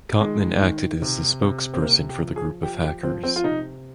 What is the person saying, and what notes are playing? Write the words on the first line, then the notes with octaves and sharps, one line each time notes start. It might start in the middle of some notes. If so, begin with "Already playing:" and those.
Kottmann acted as the spokesperson for the group of hackers.
D#3 G#3
D#3
C3
C3
C4
C3 A#3
G4
F3
G#4
F3 G4
G4
F3 C4
C4
F4
C3 D#4